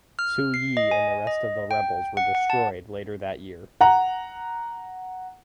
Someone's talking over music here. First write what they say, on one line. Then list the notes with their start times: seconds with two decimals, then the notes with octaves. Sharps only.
Su Yi and the rest of the rebels were destroyed later that year.
0.19 F6
0.54 C7
0.77 D#5
0.91 G#5
1.27 D#5
1.71 G5
2.17 F#5
2.35 F#5
2.50 A5
3.81 F#5 A#5